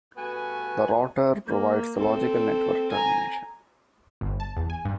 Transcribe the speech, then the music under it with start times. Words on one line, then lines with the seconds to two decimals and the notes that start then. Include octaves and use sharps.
The router provides the logical network termination.
0.17 G2 A3 B3 F#4 B4 G#5
1.46 A#3
1.98 C4 A4
2.91 G#5 A#5
4.21 G1
4.40 A5
4.57 E2
4.70 G#5
4.85 G2